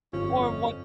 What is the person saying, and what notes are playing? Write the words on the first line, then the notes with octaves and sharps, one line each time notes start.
Or what
G1 F2 F3 C#4